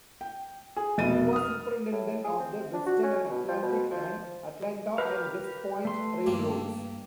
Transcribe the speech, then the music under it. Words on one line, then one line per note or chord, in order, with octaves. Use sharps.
He was superintendent of the Western and Atlantic and Atlanta and West Point Railroads.
G5
G#4
F1 B2 D#5 A6 D#7
D#6 F6
A2
G#4
C4
D4
F#4
C#4
B2
F3
B2
F3
G4 A#4 B4 F5
A3 C6
G2 G3 A#3